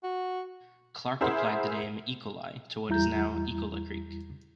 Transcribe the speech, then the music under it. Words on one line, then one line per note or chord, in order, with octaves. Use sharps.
Clark applied the name "Ekoli" to what is now Ecola Creek.
F#4
E4 G#4 A#4 C5 E5 F#5
E2 G3 E4 A#5 G6